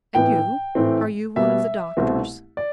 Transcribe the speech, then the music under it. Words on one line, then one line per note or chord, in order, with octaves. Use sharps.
"And you, are you one of the doctors?"
A2 E3 B3 G5
A2 E3 A3 C4
B2 G3 B3 E5
C2 B2 A3 C4
D5